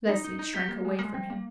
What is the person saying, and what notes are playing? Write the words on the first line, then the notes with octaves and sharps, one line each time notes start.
Leslie shrank away from him.
D#4
D#4
D#4
G4
A#3
G#3
G3
A#3
G#3
C4
A#3